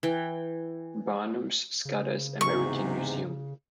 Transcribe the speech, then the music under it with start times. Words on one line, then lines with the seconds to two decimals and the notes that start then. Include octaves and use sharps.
Barnum's Scudder's American Museum.
0.03 E3 G5
1.85 C#3
2.41 E2 G#2 C3 C#6